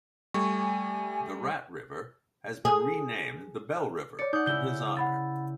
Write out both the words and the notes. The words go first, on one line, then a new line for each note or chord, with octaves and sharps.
The Rat River has been renamed the Bell River in his honour.
G3 A3 G#5 C#6
G#4
C#5 D5 C#7
D#4 F#5 D6 D#6 G6
C#3 E4 G6 G7
F#5 B5 A6